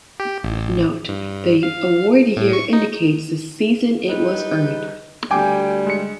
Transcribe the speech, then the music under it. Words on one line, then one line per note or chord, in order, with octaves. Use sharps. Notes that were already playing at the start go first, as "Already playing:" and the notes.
Note: The award year indicates the season it was earned.
G4
A1
G2
F5
A2
C#6
D#4
G3 D#4 B4
D2 G3 G5 G#5 D6
G#3 C#7